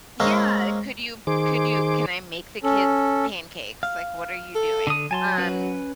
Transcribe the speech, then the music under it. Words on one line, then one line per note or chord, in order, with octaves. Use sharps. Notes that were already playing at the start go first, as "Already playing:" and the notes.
Yeah, "Could you could you can I make the kids pancakes?" Like, "What are you doing?" Um
G#3 A#3 C4 C#4
D#3 G#4 C5 D6
C#4 A4
F5
A4
D3 D#6
F#3 G#5 A5 C6
C#4 B4